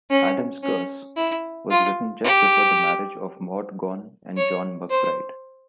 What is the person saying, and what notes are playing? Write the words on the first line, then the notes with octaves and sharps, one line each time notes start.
"Adam's Curse" was written just before the marriage of Maud Gonne and John MacBride.
C#4
C#4
E4
F4
G4
C#5
C5